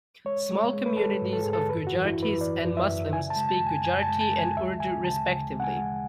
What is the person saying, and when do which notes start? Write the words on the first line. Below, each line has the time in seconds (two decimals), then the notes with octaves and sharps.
Small communities of Gujaratis and Muslims speak Gujarati and Urdu respectively.
0.25 G#3 C#5
0.49 G#3
0.74 G#3
0.86 B4
0.97 G#3 A4
1.22 G#2
1.33 A4
1.43 G#2 G#4
1.53 A4
1.69 F#2 B4
1.87 F#4
1.93 E3
2.05 E4
2.17 F#2
2.23 B4
2.41 E3 D5
2.65 F#2
2.77 E5
2.89 F#2
3.13 C#3 G#5
3.30 A5
3.36 G#3
3.49 A5
3.60 F#2
3.67 G#5
3.84 F#2 G#5
4.02 A5
4.08 G#3
4.21 A5
4.32 G#3
4.39 G#5
4.57 D2 E5
4.80 D2 G#5
5.04 C#3 A5
5.28 C#3
5.52 G#3
5.60 F#5
5.64 G#5
5.76 G#3